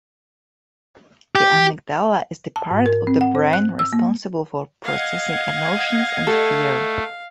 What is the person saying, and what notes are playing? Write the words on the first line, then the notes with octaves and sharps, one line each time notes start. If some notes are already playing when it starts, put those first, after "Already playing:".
The amygdala is the part of the brain responsible for processing emotions and fear.
G4
A5
G#2
A#4
C4
F#5
C5
F#6
E6
A#3
D#5 F5 F#5 G#6
A3 A4